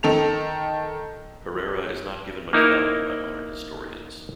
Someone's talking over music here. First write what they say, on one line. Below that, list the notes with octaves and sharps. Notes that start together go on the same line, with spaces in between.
Herrera is not given much value by modern historians.
D#3 A4 F7
A#3 D#4 E4 A#4